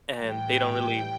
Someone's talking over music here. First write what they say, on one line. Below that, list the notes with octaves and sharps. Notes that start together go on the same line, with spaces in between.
and they don't really
A2 E3 G3 G5